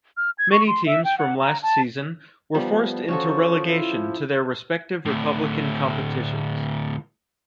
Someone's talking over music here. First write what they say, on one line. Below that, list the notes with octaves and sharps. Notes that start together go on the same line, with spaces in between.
Many teams from last season were forced into relegation to their respective republican competitions.
F6
G#6
C#6
C6
E5
G5
F#5
A#5
A5
F3 G3 B3
F3 C#4 F#4 A4 C#6
E4
D2 A2